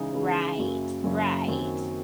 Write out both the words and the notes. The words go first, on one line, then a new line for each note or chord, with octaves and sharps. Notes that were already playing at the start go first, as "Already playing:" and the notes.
Right, right.
Already playing: C#3 E3 G#3 D#4 G#4
C#3 E3 G#3 D#4 G#4
F#1 F#2 C#3 F#3
F#1 F#2 C#3 F#3
F#2 D#3 F#3 C4